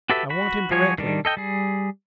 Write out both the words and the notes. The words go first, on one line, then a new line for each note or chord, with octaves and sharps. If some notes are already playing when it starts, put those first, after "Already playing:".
I want him directly.
F#4 G4 A4 B4 E5
F#4 B5
F3 G3 F#4 G#4 C#5
D#3 G3 D4
A4 D#5 G5
G3 G#4